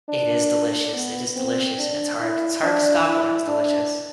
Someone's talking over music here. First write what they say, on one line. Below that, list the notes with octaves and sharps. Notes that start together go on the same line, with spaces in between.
it is delicious, it is delicious and it's hard it's hard to stop when it's delicious.
D4
B3
C4
D4
E4
D4
E4
D4